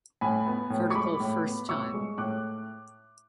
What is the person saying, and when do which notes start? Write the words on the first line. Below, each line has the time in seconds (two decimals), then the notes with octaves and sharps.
Vertical first time.
0.21 A2 G#5 B5
0.46 B3
0.70 A2
0.90 C#6
0.95 G#3 B5 D6
1.20 A2
1.44 B3
1.69 A2 C#6 E6
1.93 G#3
2.18 A2 D6 F#6